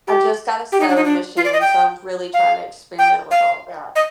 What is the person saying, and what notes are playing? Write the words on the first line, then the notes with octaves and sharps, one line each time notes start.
I just got a sewing machine, so I'm really trying to experiment with all of that.
G4
G4
D#4
D4
D#4
D4
F4
D5
D#5
G5
F5
G5
F5
D#5